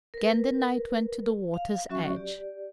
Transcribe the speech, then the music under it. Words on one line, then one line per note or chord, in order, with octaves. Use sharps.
Again the knight went to the water's edge.
A#4 B4
F5
F#3 C#4 F#4 E5 C#6
G4 D5